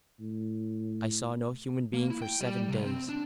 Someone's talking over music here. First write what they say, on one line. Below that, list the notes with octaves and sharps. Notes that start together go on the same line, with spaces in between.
I saw no human being for seven days.
A2
A#3
E4
G5
G3
C2
C4
D4